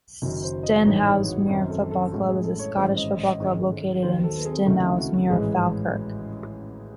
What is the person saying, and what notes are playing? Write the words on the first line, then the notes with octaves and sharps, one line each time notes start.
Stenhousemuir Football Club is a Scottish football club located in Stenhousemuir, Falkirk.
F#1 F#2 D#3 F#3
C5
D#5
A1 G#2 E3 G#3 D#4 C#5
C#5
F#4
F#2 D#3 F#3 C4 F#4
A4
A4
A1 A2 G#3 C#4 F#4
G#4
A4
C#5
A1 G#2 D#3 G#3 C#4 C5
D#5
D#5
G#2 D#3 G#3 C#4
D#2 D#3 F#3 C5
A4
G#4
C#2 C3 D#3 A3 C#4 F#4
E4
F#4
F#4
A1 G#2 E3 G#3 G#4